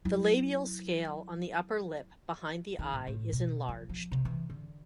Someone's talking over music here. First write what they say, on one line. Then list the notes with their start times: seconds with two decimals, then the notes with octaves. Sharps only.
The labial scale on the upper lip behind the eye is enlarged.
0.05 F#3 E4
2.79 D#3
2.93 A2
3.07 A2
3.33 B2
3.69 F3
3.89 F3
4.12 C3
4.25 E3
4.50 D3